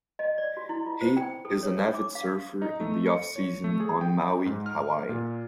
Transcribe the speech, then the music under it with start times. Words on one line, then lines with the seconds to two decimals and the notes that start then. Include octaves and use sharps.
He is an avid surfer in the off season on Maui, Hawaii.
0.19 D#5
0.38 D5
0.57 F#4
0.69 E4
0.86 F4
1.01 C5
1.17 G5
1.45 A4
1.63 C#5
1.77 D4
1.94 D6
2.15 F5
2.62 D#4
2.80 A3
3.06 C#7
3.36 C#5
3.64 A3
3.80 G#4
4.01 G5
4.46 G#2
4.66 F6
5.09 A#2